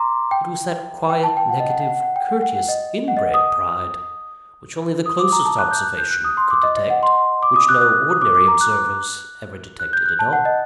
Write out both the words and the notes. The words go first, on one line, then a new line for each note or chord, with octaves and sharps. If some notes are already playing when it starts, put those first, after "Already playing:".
It was that quiet, negative, courteous, inbred pride, which only the closest observation could detect; which no ordinary observers ever detected at all.
Already playing: A#5 C6 D6
G5
G5
A5
G5
F#5
D#5
F#5
F#5
F#5
F#5
G5
F#5
F#5
F#5
D#5
F#5
D#5
F#5
D#6
D#6
D6
A#5
A5
F#6
G6
F#6
G6
F#6
D#6
C6
D6
D#5
D#5
F#5
C6
D6
D#6
F#6
F#6
D#6
D6
D6
A#5
F#6
F#6
G6
F#6
A5
F#5
D#5